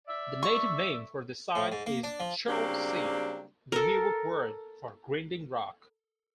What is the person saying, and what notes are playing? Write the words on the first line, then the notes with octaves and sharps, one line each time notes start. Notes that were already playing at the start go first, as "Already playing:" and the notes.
The native name for the site is "Chaw'se", the Miwok word for "grinding rock".
D5 E5
C#6
A2
G#2
A#3
D4
F3
C#3 F#3 G3 A#3 C4 D4
A4 A#4